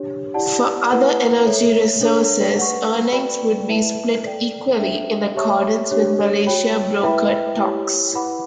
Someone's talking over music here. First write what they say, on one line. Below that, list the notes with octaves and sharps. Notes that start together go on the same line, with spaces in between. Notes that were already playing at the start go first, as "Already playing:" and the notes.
For other energy resources, earnings would be split equally in accordance with Malaysia-brokered talks.
Already playing: D4 G4 C#5
E4 G4 D5 F#5 A5
E4 B4 F#5
A4 C#5 E5
D4 A4 C#5
B4 F#5 C#6
F#4 B4 D5 G5 B5
E4 B4 E5 A5
A4 D5 G5
D4 A4 E5 G5
G4 C#5 E5 A5 C#6
D4 G4 C#5
F#4 C#5 G5 B5
E4 B4 E5 G5 B5
E4 G4 C#5
E4 B4 F#5 B5 D6